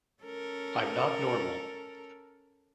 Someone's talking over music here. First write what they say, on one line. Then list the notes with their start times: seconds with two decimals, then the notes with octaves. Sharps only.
I'm not normal.
0.23 C#4 A4 A#4